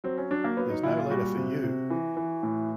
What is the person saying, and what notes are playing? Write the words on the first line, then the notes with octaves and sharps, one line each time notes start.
There's no letter for you!
F#3 C4
C#4
F#3 D4
A#3
F#3 B3
D#4
A#2 E4
F4
G3 F#4
C3
C3
E3
E3
A2